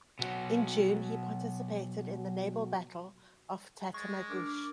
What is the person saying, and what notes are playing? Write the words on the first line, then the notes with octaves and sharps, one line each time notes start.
In June he participated in the Naval battle off Tatamagouche.
B2 F#3
G#3 C#6 A6
D4 A#4 D6